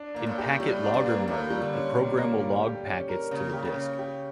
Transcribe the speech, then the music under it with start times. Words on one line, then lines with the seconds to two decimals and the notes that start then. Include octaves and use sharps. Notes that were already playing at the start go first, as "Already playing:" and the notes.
In packet logger mode, the program will log packets to the disk.
Already playing: D4
0.14 A#2 A#3
0.27 A2
0.38 G4
0.60 A2 G3
0.83 D4
0.94 G2
1.06 A#3
1.27 A2 A#3
1.50 G3
1.62 D3
1.73 C#4
1.95 A#2
2.18 A#3
2.40 G3
2.63 G4
2.86 C#4
3.09 A#4
3.31 C#3 A#3
3.53 G4
3.65 C#3
3.75 C#4
3.99 G4